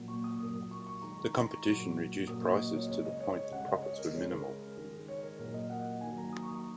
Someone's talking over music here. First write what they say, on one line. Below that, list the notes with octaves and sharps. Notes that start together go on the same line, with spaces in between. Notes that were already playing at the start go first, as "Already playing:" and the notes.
The competition reduced prices to the point that profits were minimal.
Already playing: A#2 F#3 A#3
C#6
D#6
A#2 F#3 A#3
C#6
C#6
D#3 G#3 A#5
C#6
A#5
C#6
A#2 F#3 A#3
A#2 F#3 A#3 D#6
C#6
D#5
C#5
C#3 G#3 C#5
D#5
C#5
C#5
C#3 G#3 F#5
D#5
C#5
A#4
C#3 G#3 C#5
A#4
D#3 G#3
C#5
A#4
A#2 F#3 A#3 A#4
D#5
F#5
D#3 F#3 A#3 G#5
A#5
D#6
C#6
A#5